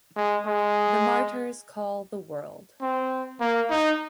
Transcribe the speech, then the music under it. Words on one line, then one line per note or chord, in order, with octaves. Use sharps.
The martyrs call the world.
G#3
G#3
C4
A#3
D#4